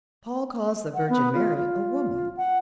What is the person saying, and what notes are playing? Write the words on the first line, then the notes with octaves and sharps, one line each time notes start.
Paul calls the Virgin Mary a woman.
F#5
B3
F4
F4
F#5